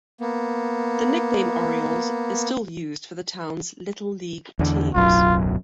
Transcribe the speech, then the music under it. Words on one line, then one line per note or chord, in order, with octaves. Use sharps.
The nickname "Orioles" is still used for the towns' little league teams.
A#3 B3
E2 D3
D1 B1 F#2 F4